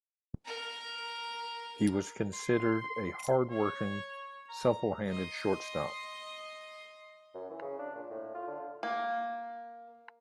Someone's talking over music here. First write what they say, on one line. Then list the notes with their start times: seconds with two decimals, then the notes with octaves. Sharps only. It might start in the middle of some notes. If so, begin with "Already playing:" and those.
He was considered a hard-working, supple-handed shortstop.
0.45 A#4 A#5
2.34 C6
3.50 C#5
4.49 A#5
5.09 D#5 C6
7.35 F#2
7.50 E3
7.62 C#3
7.79 D4
7.95 A#2
8.10 A2
8.34 F4
8.47 D3
8.83 A#3